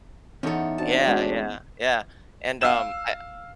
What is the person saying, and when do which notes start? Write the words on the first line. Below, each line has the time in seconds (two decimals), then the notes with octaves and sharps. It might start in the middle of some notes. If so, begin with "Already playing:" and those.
Yeah, yeah, yeah, and, um, I
0.43 E2 C#4 D#4 A4 C#5
0.78 C4 D4 F#4 A5
1.07 G#3 C#4
2.61 F5 E6 E7